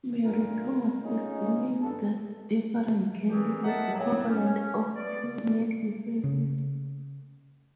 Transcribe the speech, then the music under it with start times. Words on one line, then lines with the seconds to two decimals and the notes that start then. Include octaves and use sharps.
Mary Thomas estimates that the difference can be the equivalent of two needle sizes.
0.25 G2 A#2 F4 A#4
1.04 C#4 D#4 F4 G#4
1.80 G2 A4
3.28 A#2 E3 C4 G4 G#4
3.64 A#4 D#5 E5 F#5 A5
3.93 A2 F#3
4.29 C#4
4.96 B3 D5
6.24 C#3